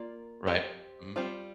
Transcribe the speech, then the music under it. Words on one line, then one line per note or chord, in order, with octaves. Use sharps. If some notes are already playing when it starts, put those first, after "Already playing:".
Right. Mhm.
Already playing: A#3 F4 D5
C4 G4 C5 D#5
G3 C4 F4 C5